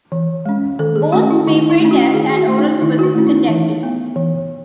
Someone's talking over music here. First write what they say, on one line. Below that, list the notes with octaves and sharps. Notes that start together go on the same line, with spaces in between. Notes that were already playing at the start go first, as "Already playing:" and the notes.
Both paper test and oral quizzes conducted.
E3
G#3 C#4
D#3 A4
G#4
A3 C#4 F#4
E4
D#3 D#4
E4
A3 C#4
F#4
D#3 G#4
G#4
F#4
A3 C#4
D#4
D#3 E4
F#4
E4
A3 C#4
D#4
E3
B3
E3